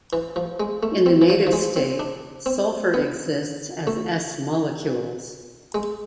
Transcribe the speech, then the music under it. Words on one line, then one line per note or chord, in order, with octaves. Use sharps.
In the native state, sulfur exists as S molecules.
E3
F3
G#3
A3
C4
E3
F3
F3
G#3
C4
D4
C4
B3
A3
G#3